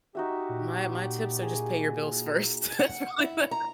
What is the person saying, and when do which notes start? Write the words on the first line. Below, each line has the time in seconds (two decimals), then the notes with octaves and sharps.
My My tips are just pay your bills first. That's probably the
0.15 D#4 F#4 G4 E5
0.49 A#2
1.43 G#4
2.79 F#5
3.19 E4
3.51 A#5